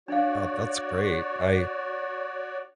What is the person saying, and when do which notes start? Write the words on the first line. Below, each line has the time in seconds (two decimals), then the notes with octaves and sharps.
Oh, that's great. I
0.08 D4 F#4 C#5 D5 F5